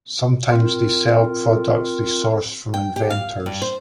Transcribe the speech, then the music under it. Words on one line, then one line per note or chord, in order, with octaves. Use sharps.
Sometimes, they sell products they source from inventors.
C4 F4 A#4
G5
G4
F5
G2
C5